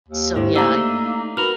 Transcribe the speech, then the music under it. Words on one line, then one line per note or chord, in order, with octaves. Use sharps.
So, yeah I
D#2
G#2 E4 G4 C5
A3 A#3 D4 D#4 A#5 E6
F#4 A#4 B4 F6